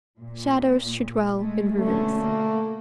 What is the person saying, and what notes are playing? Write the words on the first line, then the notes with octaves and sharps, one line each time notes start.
Shadows should dwell in ruins.
A#2
G#3 A3
B2 D3 A3 C#4
A#3